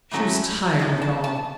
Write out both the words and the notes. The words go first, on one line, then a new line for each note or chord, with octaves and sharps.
She was tired of it all.
A2 F#3 A3 C#4 E4
A2 G#3 B3 D#4
A5
A5